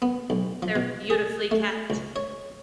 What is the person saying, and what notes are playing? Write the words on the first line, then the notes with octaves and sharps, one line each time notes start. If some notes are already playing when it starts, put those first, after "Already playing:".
They're beautifully kept.
B3
B1
F3
B2
G#4
A3
C#2
C#5